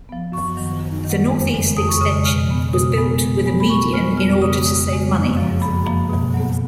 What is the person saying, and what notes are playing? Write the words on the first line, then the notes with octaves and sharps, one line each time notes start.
The Northeast Extension was built with a median in order to save money.
F3 B3
F#2 C#6
D#3 F#3
F#2
D#3 F#3
F2
C#3 G#3
F2 D#6
C#6
C#3 G#3 D#6
B2 F6
G#3 B3
B2 D#6
G#3 B3
A#2
G#3 B3
B5
A#2 C#6
G#3 B3 F6
F2 F6
C#3 G#3 D#6
F2 D#6
C#3 G#3
F#2
F3 A#3
F#2 B5
F3 A#3
B2
F#3 B3